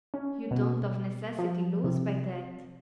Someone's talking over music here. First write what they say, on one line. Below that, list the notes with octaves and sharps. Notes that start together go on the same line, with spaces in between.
"You don't of necessity lose by that."
C#4
B2
F3
C3